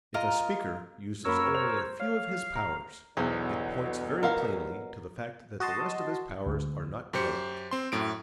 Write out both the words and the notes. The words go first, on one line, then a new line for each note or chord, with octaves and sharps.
If a speaker uses only a few of his powers, it points very plainly to the fact that the rest of his powers are not developed.
F4 A#4 D#5 A#5
F#2 A#3 A#4 C#5 B5 E6
C5 F7
C#5 F5
A#5
B1 E2 B2 D3 F#3 E4 G#4 C5
A4 A#4 F5 F#5
F#4 D#5 A5 C6
D2
F#2 G4 C5 C#7
C4 C6
F#2 A2 D7